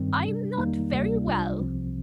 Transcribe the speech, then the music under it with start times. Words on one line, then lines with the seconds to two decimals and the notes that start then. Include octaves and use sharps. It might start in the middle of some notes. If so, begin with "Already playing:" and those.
"I'm not very well."
Already playing: G2 D#3 G3 C4
0.24 C3 G3 D4
0.58 F2 D#3 G3 A#3 D#4
0.93 D2 C3 G3 A#3 D4
1.27 C2 C3 G3 D4 F4
1.60 C2 C3 F3 C4